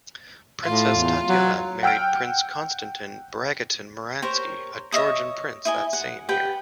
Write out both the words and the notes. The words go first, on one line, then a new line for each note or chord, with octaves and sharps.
Princess Tatiana married Prince Konstantin Bagration-Muhransky, a Georgian prince, that same year.
A2 F4
E2
F#3
F#5 G5 E6 F6 D7
G4 A#4 C5 C#5
C#5 D#5 E5 D#6
E4 D#5 G#5
F#5
G4 B4 F#5 G5